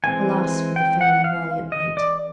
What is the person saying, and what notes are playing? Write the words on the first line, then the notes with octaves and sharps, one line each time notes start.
Alas, for the fair and valiant knight!
E3 G#3 C4 G#5
G5
F#5
F5
D#5
D5